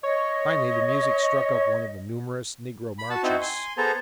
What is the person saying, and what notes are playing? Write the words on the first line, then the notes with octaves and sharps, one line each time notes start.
Finally the music struck up one of the numerous negro marches.
C#5 D#5
B5
F#4 A5
C4 D#4 E4 F#4 C5
G#5 C6
B3 G#4 A4 C5 A#5